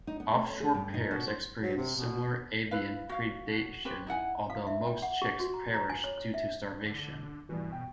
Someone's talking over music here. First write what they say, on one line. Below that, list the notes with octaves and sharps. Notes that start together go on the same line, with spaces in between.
Off shore pairs experience similar avian predation although most chicks perish due to starvation.
D#4
B3
A3
C#4
G#4
G2
D#4
B2
C5
F#3
C3
B2
E4 B4 F5
F#4 F5
F#4
C#4 G4 B4 C5
D#4 E4 F#5 G#5
F5
E5
G5
F#5
G4
F#4
A#5
A#5
G#5
C#5
C#5
E5
D3
G2 B2 E3
G5